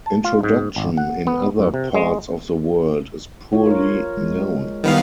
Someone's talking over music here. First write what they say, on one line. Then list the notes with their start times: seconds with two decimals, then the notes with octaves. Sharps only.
Introduction in other parts of the world is poorly known.
0.06 A5
0.24 F4
0.43 G#2
0.76 G#1
0.97 F#5
1.27 B3
1.59 F#2
1.74 C3
1.95 G#3
3.53 F4 C#5
3.66 A#4 C#5
4.17 G#3
4.84 D#3 G3 B3 E4 F5